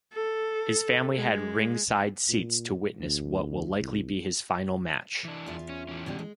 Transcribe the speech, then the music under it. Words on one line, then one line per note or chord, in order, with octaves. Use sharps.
His family had ringside seats to witness what will likely be his final match.
A4
G#3
A#2
D2
C2
E3 D4
E2 F4 E5
C#4
E3 C#4
B2 D3 G3
G#3